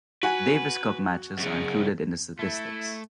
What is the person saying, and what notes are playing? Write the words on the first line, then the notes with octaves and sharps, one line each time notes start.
Davis Cup matches are included in the statistics.
F#4 B4 G#5
F#2 C#3
A3 E4